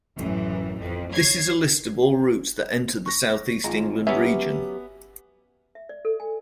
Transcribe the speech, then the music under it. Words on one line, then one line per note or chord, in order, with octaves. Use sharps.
This is a list of all routes that enter the South East England region.
A1 F#2 E3
F2
C#5 G#6 C7
C#6 A#6
G#1 G#3 F4 A#5
F#3 B3 C#4 G4 E5
E5
D5
A4
G#5